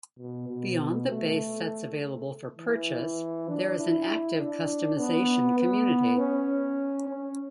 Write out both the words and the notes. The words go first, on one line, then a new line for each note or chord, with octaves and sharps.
Beyond the base sets available for purchase, there is an active customization community.
B2
B2
A3
E3
D4
E4
D4
B3
B3
C#4
C#4